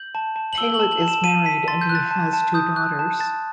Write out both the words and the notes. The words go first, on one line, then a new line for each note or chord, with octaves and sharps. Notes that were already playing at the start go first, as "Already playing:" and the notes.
Paillet is married and he has two daughters.
Already playing: G6 F#7
A5
A5
F#7
E6 G7
F#7
A5
F#7
A5
E7
A5 D#7
A5 B6
C6 A6
G6
F#6
A6
A5
A5
D#6 G6
F#6
A5
A5 A6